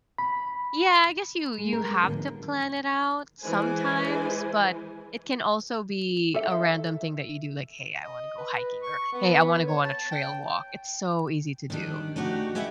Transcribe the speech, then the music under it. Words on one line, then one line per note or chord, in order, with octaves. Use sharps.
yeah, I guess you you have to plan it out sometimes, but, it can also be a random thing that you do, like, "Hey, I wanna go hiking," or, "Hey, I wanna go on a trail walk." It's so easy to do.
B5
G#3
A#4
D#2 A2 D3 D#3 F3
D#3
E3 G#3 C5 G#5
A4 E5
D#5
B4
C#6
B3
C#5
A5
G5
D#3 G3 D4
A3 D4 D#4 F#4 G4
G4 G#4 B4 D#5 E5 F#5